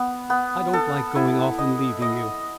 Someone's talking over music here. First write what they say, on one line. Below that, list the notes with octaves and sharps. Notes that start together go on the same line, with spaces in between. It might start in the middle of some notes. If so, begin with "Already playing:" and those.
"I don't like going off and leaving you."
Already playing: B3
B3
A4
E4
D#5
D#5